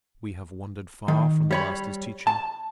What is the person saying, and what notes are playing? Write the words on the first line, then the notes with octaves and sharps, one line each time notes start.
We have wandered far from the Master's teaching.
D#3
G3 C#5 B5
A5